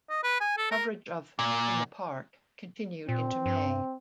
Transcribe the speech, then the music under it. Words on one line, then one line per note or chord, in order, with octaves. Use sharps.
Coverage of "In the Park" continued into May.
D#5
B4
G#5
A4
A#4
A#2
A#2 C4
G2